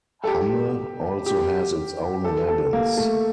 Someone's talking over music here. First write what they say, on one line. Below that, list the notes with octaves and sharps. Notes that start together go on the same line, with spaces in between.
Hamme also has its own legends.
A4
G4
G4
A4
A4
A#3
A3